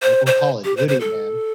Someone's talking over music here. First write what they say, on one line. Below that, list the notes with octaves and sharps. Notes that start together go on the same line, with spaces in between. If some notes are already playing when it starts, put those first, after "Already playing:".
or or Call of Duty, man.
C5
C5
G4
C5
C5
A4